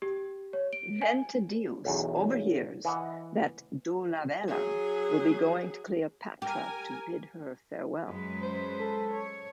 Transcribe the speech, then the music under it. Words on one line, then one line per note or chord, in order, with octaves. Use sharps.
Ventidius overhears that Dolabella will be going to Cleopatra to bid her farewell.
G4
C#5
D7
G#5
B1 E2
E3 D#5 F#5
F#3 G#4
G4 A#4 G#5
F#2 G#3 B4
C5
A4
C#5